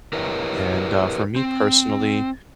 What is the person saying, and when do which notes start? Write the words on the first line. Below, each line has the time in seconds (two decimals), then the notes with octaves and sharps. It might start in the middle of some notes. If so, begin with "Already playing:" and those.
and, uh, for me personally,
0.13 E4 G4 A#4 B4 C#5 D#5
1.36 C4